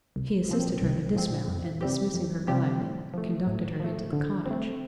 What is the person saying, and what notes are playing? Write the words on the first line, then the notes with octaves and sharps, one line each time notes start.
He assisted her to dismount, and dismissing her guide, conducted her into the cottage.
C2
A#2 F3 C4
C2
A#2 F3 C4
F2
C3 G3 C4 G4
F2
C3 G3 C4 G4
A2
F3 A3
A2
F3 A3
D3
A3 C4